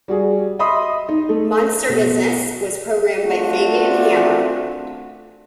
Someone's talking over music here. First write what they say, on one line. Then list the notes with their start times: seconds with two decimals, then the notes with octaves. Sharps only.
"Monster Business" was programmed by Fabian Hammer.
0.08 G3 F#4 G#4
0.59 D#5 E5 B5 C6 D#6
1.09 D#4
1.29 A3
1.89 B2
3.24 A3 C4 D4 F4 F#4